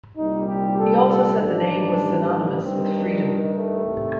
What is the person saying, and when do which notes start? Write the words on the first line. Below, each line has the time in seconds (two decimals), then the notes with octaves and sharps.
He also said the name was synonymous with "freedom".
0.17 C2 A#2 G3 D#4
0.48 G4
0.78 A4
1.09 A4
1.40 A1 G2 D#3 G3 D4
2.63 G2 D#3 G3 C4
2.93 D4
3.24 D#4
3.55 A3
3.85 C2 C3 D#3 G3